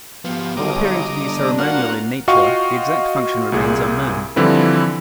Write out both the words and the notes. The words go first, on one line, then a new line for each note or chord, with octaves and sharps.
While appearing to be ceremonial in nature, the exact function remains unknown.
F3 B3 G4
B1 D3 G3 D#5 A#5 D6
D4
A#3 F4 F#4 F#5
F4 F#4 D#5 F5 G5 C#6
C2 A#2 G#4
D3 E3 F3 G3 C4 E4